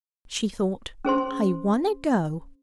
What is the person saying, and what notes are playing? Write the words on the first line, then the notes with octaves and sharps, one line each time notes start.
She thought, 'I wunna go.
C#4 G#4 C5 C6